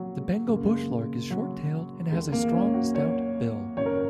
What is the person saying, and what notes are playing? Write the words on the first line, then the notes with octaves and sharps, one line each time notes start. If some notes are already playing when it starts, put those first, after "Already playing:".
The Bengal bush lark is short-tailed and has a strong stout bill.
Already playing: C#3 F#3 A#3
G#3
F#1 F#2 C#3 G#3
A#3
G#3
F#3
D#2 D#3 G#3
A#3
C#4
F#4
C#5
G#1 F#2 C#3 C#5
A#4